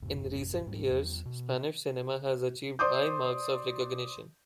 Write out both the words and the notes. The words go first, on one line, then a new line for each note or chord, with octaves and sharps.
In recent years, Spanish cinema has achieved high marks of recognition.
G1 F2 G#2 C3
D1 G#2 G3
E2 F#3
B2 B3
C5 D5 C6 D6 D#6 G6